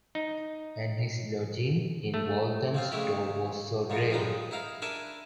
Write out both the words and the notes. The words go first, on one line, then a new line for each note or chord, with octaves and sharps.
And his lodging in Walthamstow was so dreary.
D#4
A3
F3 C4 F4
C#3 G#3 A3 E4 G4
G#2 E3 F3
F3 G3 G#3 D#4
D#4 E4 F5 A#5
D4 E4 A#4 G#5 A5 C#6